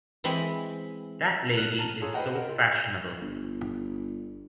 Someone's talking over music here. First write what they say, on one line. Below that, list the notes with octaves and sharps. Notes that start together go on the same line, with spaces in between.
That lady is so fashionable!
E3 G#3 C4 B5
F6 F#6 E7 F#7
A5 A#5 F6 D#7
F4 G#4 A4 C#5
B4 C5 D#5 F#5 G5
A#4
F4
G1